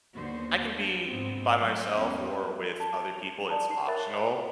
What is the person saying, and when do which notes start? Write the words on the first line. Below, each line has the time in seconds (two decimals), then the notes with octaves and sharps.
I can be by myself or with other people, it's optional,
0.15 D#2 D3 B3 F#4 C5
0.75 D4
1.05 G#2 B3 C4
1.57 F#3 A3
1.94 E2 G#3 C#4
2.80 A5
3.13 F7
3.48 D5 F5 A5 A#5 D#6
3.69 D#4 A5 C7
3.87 A#4 C#5 E5 B5 F#6 A6